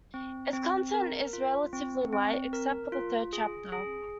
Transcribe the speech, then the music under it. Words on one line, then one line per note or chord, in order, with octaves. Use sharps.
Its content is relatively light, except for the third chapter.
C4
C4
A#4
F4
C4
C4
A#4
F4
G#4
G#4